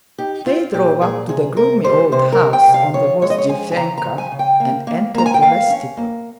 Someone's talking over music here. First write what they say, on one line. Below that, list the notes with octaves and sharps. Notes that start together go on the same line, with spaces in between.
They drove up to the gloomy old house on the Vozdvizhenka and entered the vestibule.
D#4 G4
C4 F4
A#2 G4
A#2 G#4
C3 G#4
C3 A#4
G3 C5
C3 C5
A#4
G3
G5
C3
F5
F3 C#5
G#3 C#5
D#5
C#5
F3 G#5
G#5
C#3 A#5
A#5
F3
G#5
C#3
G5
A#3
A#3
A#3 A#5
G#5
G5
A#3 F5
C#4
A#3